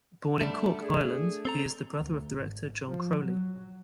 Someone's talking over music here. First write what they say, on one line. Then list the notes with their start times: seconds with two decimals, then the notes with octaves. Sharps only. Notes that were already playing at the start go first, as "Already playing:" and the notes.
Born in Cork, Ireland, he is the brother of director John Crowley.
0.41 D3 G3 A3 D4
0.83 G#4
1.45 C4 A4 A#5
1.98 D2
2.34 G#1
2.89 F3
3.19 F#3